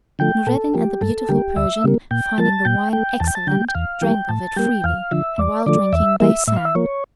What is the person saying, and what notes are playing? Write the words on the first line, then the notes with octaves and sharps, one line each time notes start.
Noureddin and the beautiful Persian, finding the wine excellent, drank of it freely, and while drinking they sang.
D3 F3 A3 G5
A#2 A4
F3 A#3 G4
G2 A4
D3 G3 A#3 G4
D2 E5
C#3 G3 A#3
A#2 G5
F3 A#3 A5
A#2 G5
A3 G5
E2 A5
G5
A5
D3 G3 G5
G5
E2 F5
E3 G3 A#3 G5
A2 A5
G3 A#3 G5
E2 F5
D3 F3 E5
E2 D5
D3 F3 A3 D5
E2 E5
E3 G3 A#3 E5
A2 E5
F5
E5
F3 A#3 C#5